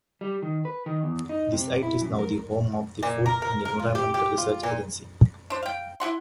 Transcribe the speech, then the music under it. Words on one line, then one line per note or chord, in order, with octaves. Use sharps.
The site is now the home of The Food and Environment Research Agency.
G3
D#3
B4
D#3
E2
D#4
C3
E4
F#2
A#4
A#2
A#4
A#4
A#4
F4
G4
G4
F4
A#2
D4 C5
F5 G5
E4 G#4 F#5 C6